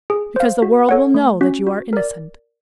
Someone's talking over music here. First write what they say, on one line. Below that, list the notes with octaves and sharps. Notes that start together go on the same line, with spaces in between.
"Because the world will know that you are innocent."
G#4
C5 F5
F#4
A4 C#5 F#5
A3
C#4 F#4
F#4
A#4 D5